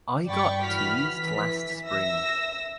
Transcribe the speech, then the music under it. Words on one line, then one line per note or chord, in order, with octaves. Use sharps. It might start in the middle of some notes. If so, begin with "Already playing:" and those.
I got teased last spring.
G2 D5 G5 B5 C#6 A6
E3 F#4 B5 F6 B6
E3 B6
E5 E6 A#6